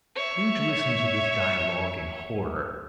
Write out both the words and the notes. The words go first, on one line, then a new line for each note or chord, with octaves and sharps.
Scrooge listened to this dialogue in horror.
C#5 E5